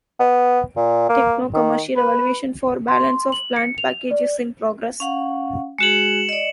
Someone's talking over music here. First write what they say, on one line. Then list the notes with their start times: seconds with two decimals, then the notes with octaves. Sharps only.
Techno-Commercial evaluation for Balance of Plant package is in progress.
0.20 B3
0.77 A#2
1.09 A#3
1.54 D#3
1.97 B4
2.88 C6
3.32 F#7
3.56 C#7
3.78 F7
4.11 D5
5.00 C#4 F5 F#5
5.78 G#3 F#4 G#4 C#7 E7 F#7
6.29 D5 D#5